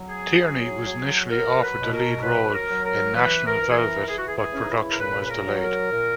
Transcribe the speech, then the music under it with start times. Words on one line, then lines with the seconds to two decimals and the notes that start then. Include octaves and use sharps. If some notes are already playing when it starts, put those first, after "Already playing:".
Tierney was initially offered the lead role in "National Velvet," but production was delayed.
Already playing: F#3
0.08 G#4
0.39 F#3
0.85 F#3
1.31 F#3 A#4
1.61 B4
1.77 B2
1.93 A#4
2.23 F#3 B4
2.54 A#4
2.69 F#3
2.84 A#4
3.15 E3 B4
3.46 A#4
3.61 E3
3.70 G#4
3.77 A#4
4.07 E3 G#4
4.17 F#4
4.28 G#4
4.38 G#4
4.53 C#3 C#4
4.61 D#4
4.69 E4
4.90 A#4
5.00 A#2 B4
5.24 B4
5.30 A#4
5.46 F#3
5.61 A#4
5.91 A#2